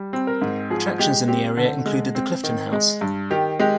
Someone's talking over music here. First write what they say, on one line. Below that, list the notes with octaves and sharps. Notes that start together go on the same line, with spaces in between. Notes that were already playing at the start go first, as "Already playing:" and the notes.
Attractions in the area included the Clifton House.
Already playing: G3
C4
A#4
G#2
F3 G#4
G#3 G4
C4 G4
D3
G#3
C4
D#3
G#3
G2
D#3 G4
G#3 G4